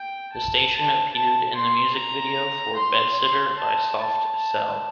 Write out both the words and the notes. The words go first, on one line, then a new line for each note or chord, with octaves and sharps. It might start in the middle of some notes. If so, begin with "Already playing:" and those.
The station appeared in the music video for "Bedsitter" by Soft Cell.
Already playing: G5
A5
A5
A5
C6
A#5
C6
A5
A5